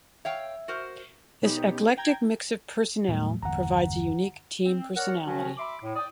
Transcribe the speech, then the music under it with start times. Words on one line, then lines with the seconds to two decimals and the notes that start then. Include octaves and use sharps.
This eclectic mix of personnel provides a unique team personality.
0.25 C#5 E5 F5 G5
0.68 F#4 A#4 C5
1.42 B2 B3 C#4 D#4 G4
1.97 G5 A#5 G#6
3.08 E2 A2 F#3 G3 A3 B3
3.43 G1 E2 F#5 A#5
4.65 C4
4.96 A#4 C#5 D5 F#5
5.27 D#3 F3 F#3 C#4 F#4
5.58 E5 B5 C6 D6
5.83 A2
5.96 D5 G5 D#6